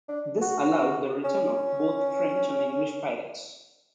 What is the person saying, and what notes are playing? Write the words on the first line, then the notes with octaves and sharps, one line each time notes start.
This allowed the return of both French and English pirates.
D4
F#4
C#4